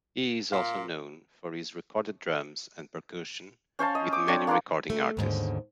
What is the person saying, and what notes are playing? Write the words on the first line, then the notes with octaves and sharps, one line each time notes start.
He is also known for his recorded drums and percussion with many recording artists.
A#2 F5
C#4 C5 F5 A5
D#5
D6
C4 D4 C#5
A#3 D4 C6 D6
A3
D#2 G#2 B2 D3